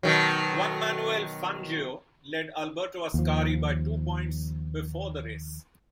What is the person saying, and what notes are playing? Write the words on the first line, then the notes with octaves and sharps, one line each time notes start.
Juan Manuel Fangio led Alberto Ascari by two points before the race.
B2 D#3 F#3
D#2 F3